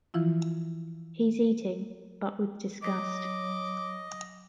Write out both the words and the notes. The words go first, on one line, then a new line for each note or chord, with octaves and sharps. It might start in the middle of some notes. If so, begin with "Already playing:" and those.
He’s eating, but with disgust.
E3 F3 E4 F4
F#3 D#5 D6